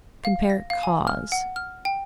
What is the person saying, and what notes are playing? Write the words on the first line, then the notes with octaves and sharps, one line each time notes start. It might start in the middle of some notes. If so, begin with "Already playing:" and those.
Compare CAUSE.
F5
A#6
F5
G#5
F6
F#5
F6
G5